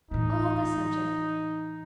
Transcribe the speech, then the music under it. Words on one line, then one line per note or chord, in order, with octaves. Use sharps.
Oh, the subject!
A2 E3 D#4